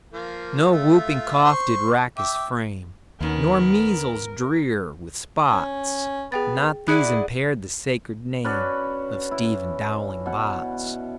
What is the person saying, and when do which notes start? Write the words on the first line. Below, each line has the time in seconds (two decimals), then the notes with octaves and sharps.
No whooping-cough did rack his frame, Nor measles drear with spots; Not these impaired the sacred name Of Stephen Dowling Bots.
0.13 F3 A#3
0.72 A3 F4 E5
1.44 C5 C#6
2.17 E5 G5 D6
3.21 D#2 B2 D#3 B3 C#4 A#4
5.51 C#4
6.32 B3 G#4 G5 A6
6.88 E4 G#4 D5 F#5 F#6 C#7
8.44 C#4 D4 F#4 B4
9.31 E4
10.26 B2 F#5